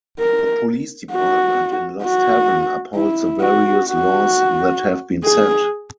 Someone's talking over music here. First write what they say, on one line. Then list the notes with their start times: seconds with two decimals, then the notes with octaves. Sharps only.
The police department in Lost Heaven uphold the various laws that have been set.
0.20 A#4
1.12 F#4
2.04 F#4
2.95 E4
3.41 F#4
3.87 F#4
5.24 G#4